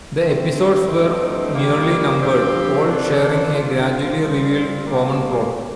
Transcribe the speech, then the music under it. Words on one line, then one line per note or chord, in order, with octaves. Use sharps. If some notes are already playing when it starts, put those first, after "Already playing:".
The episodes were merely numbered, all sharing a gradually-revealed common plot.
G2 D3 A3 C4
G2 D3 A3 C4 D#4
G2 D#3 G3 A#3
G2 F3 C4 G4
C3 D#3 A#3 D4 A4
G2 D3 F3 A#3 F4
G3 C4 F4
A#2 G3 A#3